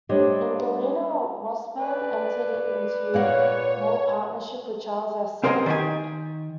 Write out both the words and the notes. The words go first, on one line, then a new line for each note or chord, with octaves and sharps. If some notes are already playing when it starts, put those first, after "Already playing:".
In Galena, Wasburne entered into law partnership with Charles S. Hempstead.
G3 A3 D4 C5 C#5 D#5
B4 D5
A#2 A#3 C#5 F#5
C4 A#4 C5 D#5 G5 G#5
D#3 G4 G#5